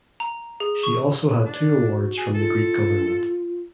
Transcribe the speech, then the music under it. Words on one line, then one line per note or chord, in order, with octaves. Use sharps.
She also had two awards from the Greek government.
A#5
G#4
C#6
D4
F#4
G#4
F4 A4